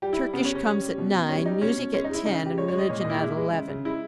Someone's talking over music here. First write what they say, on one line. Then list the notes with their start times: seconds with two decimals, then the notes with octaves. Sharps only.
Turkish comes at nine, music at ten and religion at eleven.
0.02 G3 G4
0.13 E4
0.18 G3
0.33 C#3 B3
0.45 C#4
0.50 C#3
0.55 C#4
0.65 G3 C#4
0.82 G3
0.98 B2
1.14 B2
1.29 G3 C#4
1.46 G3 D#4
1.61 B2 C#4
1.77 B2
1.93 G#3 C#4
2.04 D#4
2.10 G#3 E4
2.25 C#3 D#4
2.42 C#3 G4
2.58 G#3 C#5
2.68 C#5
2.73 G#3
2.78 D#5
2.89 A#2 C#5
3.00 A#2 D#5
3.10 E4
3.21 G#3
3.37 G#3
3.52 C#3
3.68 C#3
3.85 G#3 E4